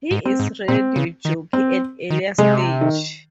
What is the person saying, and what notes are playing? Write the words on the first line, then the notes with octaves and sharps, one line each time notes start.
He is Radio Jockey at Earlier Stage.
G#2
C4
G#2
A#2 C4
C#3
D#3
C4
D#3
C3 G#3
D#3